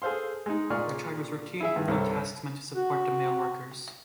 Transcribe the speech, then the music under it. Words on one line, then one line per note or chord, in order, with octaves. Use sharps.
They are charged with routine, menial tasks meant to support the male workers.
G#4 A4 C5 F5 C6
G#3 D#4
A#2 G#4 D5 C#6 F6
E4 G#4 E5
G2
C2 G2 A4 C#5
F#4